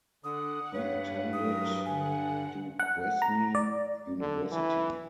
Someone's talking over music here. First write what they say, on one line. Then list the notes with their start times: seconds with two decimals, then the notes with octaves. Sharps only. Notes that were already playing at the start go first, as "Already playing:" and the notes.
He attended Duquesne University.
0.24 D3 F#5 D#6
0.74 G2 B4 C#5
1.33 F#3 A#4 D#6
1.85 D3 F#5 G#5
2.79 F#5
3.22 A#5
3.55 D5
4.20 D3
4.52 E3